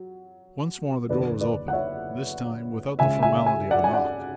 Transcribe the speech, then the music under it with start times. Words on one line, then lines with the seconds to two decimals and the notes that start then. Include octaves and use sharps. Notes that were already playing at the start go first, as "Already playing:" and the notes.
Once more the door was opened--this time without the formality of a knock.
Already playing: F#3
1.09 F#1 E2 D3 B4 D5
1.41 B4 D5
1.68 F#5
1.73 C#5 E5
2.99 C#2 C#3 G#3 E5 G#5
3.23 E5 G#5
3.46 E5 G#5
3.71 D5 F#5
3.84 G#5
3.93 D5 F#5